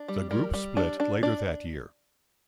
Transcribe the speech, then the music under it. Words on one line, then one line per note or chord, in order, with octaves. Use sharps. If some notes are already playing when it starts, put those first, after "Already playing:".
The group split later that year.
Already playing: D4
G3
G3 A#4
G3
D4
D4
D4 D5